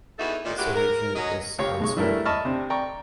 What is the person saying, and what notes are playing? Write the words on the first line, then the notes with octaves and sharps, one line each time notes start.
His origin is uncertain.
E2 E3 D#4 F#4 A4 E5
A#2 D#3
G#3 B3 D4 E4 F#4 G4
A#4
F#3 C#4 D#5
C#2 G4 C#5 F5 C#6
B1 G#3 C#6
E3 G3 A3 D4 E4 A#4
D#5 E5 A5 B5 C#6 F6
C3 C4 D4
D5 G5 A#5 C#6